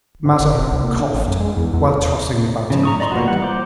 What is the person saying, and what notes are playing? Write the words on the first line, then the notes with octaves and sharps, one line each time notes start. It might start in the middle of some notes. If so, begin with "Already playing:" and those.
Mazarin coughed while tossing about in his bed.
G#1
F#1
E1
C2
A#2
D3
A1
F#2
G#3
E2
E2
E1
C#3 F3
A#5 C#6 D#6
D5 D#5 A#5 C6 C#6
A#3 B3 F4 F#4
E3 G3 F#5
C5 D6